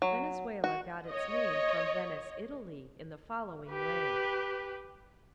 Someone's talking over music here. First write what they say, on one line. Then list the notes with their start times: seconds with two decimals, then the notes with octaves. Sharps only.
Venezuela got its name from Venice, Italy, in the following way.
0.02 F#3
0.64 F#4
1.09 C#5 D#5
3.70 G4 B4